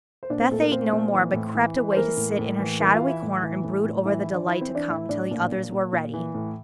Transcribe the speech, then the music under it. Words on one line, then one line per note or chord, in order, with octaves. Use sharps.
Beth ate no more, but crept away to sit in her shadowy corner and brood over the delight to come, till the others were ready.
C5
A#2 D4 D5
C4 C5
A#2 A3 A4
A#3 A#4
A#2 C4 C5
A#2
E3
A2
E3
E3
C5
E3 A#3 A#4
A2
A2
E3
E3 A#3 A#4
F4 F5
E3
E4 E5
A2
E3
A2
A2
E3 E4 E5
E4 E5
E3
D4 D5
E3 E4 E5
C4 C5
E3
D4 D5
A2 E4 E5
A2 D4 D5
A#2
A#2
A#2
A#2
E3
A2